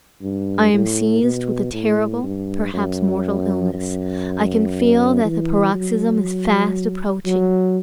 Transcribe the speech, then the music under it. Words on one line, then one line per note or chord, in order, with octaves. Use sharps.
I am seized with a terrible, perhaps mortal illness; I can feel that the paroxysm is fast approaching.
G2
A2
B2
A2
G2
F#2
F#2
E3
F#3
F#3